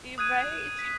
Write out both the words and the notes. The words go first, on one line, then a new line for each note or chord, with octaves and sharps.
e right, she
D#6 F#6 G#6 D#7
B6